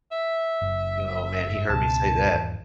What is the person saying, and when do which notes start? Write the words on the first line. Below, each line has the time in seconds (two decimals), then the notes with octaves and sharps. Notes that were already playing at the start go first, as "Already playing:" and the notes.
Y oh man, he heard me say that.
0.11 E5
0.62 F#1
1.69 C#2 B2 A5
2.31 G#1 E2